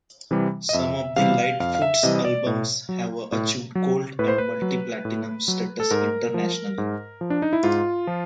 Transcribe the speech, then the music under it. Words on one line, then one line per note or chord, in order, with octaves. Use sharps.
Some of Lightfoot's albums have achieved gold and multi-platinum status internationally.
C3 E3 G3
D#5
F2 E5
C3 E3 G3 F5
F2 F5
F5
E5
C3 E3 G3 D#5
D#5
D5
A2
F#3
A2
F#3
A2 B4
C5
B4
F#3
A2
F#3
A4
G#2 A#4
F3
G#2
F3
D4
D#4
E4
G#2 F4
F3